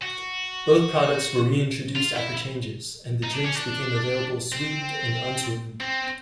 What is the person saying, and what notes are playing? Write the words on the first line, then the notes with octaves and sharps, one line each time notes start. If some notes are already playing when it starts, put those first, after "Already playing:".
Both products were re-introduced after changes, and the drinks became available sweetened and unsweetened.
F#4
F4
E4
D#4
D4
C#4
D4
C4
C4